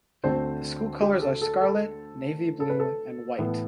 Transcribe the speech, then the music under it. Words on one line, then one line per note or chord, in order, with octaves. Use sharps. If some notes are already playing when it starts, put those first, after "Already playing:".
The school colors are scarlet, navy blue and white.
D2 D3 A3 C4 C5
G4
A4
A4
A4
A4
B4
A4
A2 E3 B3